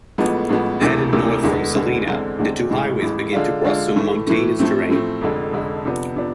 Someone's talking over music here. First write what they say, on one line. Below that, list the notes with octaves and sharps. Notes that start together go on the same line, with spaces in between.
Headed north from Salina, the two highways begin to cross some mountainous terrain.
A1 A2 F3 G#3 B3
A1 A2 F3 G#3 B3
E1 D2 C3 E3 A3
E1 D2 C3 E3 A3
E2 D3 G#3 B3
E2 D3 G#3 B3
E2 D3 G#3 C4
E2 D3 G#3 C4
A1 A2 E3 G#3
A1 A2 E3 G#3
D3 G#3 D4 F4
D3 G#3 D4 F4
A2 E3 A3
A2 E3 A3
A2 F3 A3 C4
A2 F3 A3 C4
F1 F2 D3 G#3
F1 F2 D3 G#3
C3 F3 B3 D4
C3 F3 B3 D4